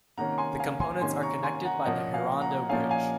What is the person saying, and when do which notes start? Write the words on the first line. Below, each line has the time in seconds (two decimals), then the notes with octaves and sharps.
The components are connected by the Hirado Bridge.
0.17 C3 D#3 A#3 C#4 F#5 A#5
0.38 G#5 C6
0.59 F5 G#5
0.80 G#5 C6
1.01 C3 D#3 A#3 C#4 G#5 C6
1.23 A#5 C#6
1.43 G#5 C6
1.65 F#5 A#5
1.85 A#2 F3 A#3 C#4 D#5 F#5
2.13 F5 G#5
2.41 F#5 A#5
2.69 A#2 F3 A#3 C#4 F5 G#5
2.90 F5 G#5